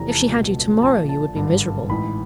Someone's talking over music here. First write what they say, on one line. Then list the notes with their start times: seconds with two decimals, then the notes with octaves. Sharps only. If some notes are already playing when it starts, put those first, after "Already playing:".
If she had you to-morrow, you would be miserable.
Already playing: F1 E2 C3 E3 A#5
0.09 A5
0.27 C#2 B2
0.82 A#1 A#2 A5
1.09 A5
1.35 G#1 G2 D3
1.89 A1 G#2 E3 B5